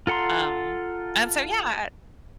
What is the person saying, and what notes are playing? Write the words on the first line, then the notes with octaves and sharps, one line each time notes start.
Um, and so, yeah, ah,
F4 A4 F#5 A#5 C6